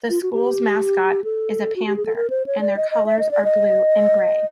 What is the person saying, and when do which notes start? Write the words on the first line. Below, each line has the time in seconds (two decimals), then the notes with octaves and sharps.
The school's mascot is a panther and their colors are blue and gray.
0.10 F4
0.22 F#4
0.33 G4
1.24 A4
1.76 F#4
1.87 G4
1.97 G#4
2.06 A4
2.16 A#4
2.30 C5
2.46 C#5
2.60 D5
2.77 D#5
2.91 D#5
3.06 E5
3.19 D#5
3.31 D5
3.44 D#5